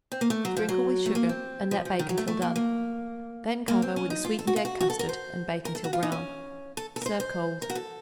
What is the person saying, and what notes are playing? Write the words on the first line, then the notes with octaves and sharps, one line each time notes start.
Sprinkle with sugar and let bake until done. Then cover with a sweetened egg custard and bake until brown. Serve cold.
C4
A#3
A3
F#3
F3
F#3
A3
A#3
C4
F3
F3
D#3
F#3
A3
A3
A#3
A#3
A#3
C4
C#4
D#4
F4
A4
F#4
F4
F#4
F#4
A4
A#4
C5
A#4
A4
F#4
F4
D#4
C#4
A4
A4
A#4
C5
C5
A#4
F#4
A4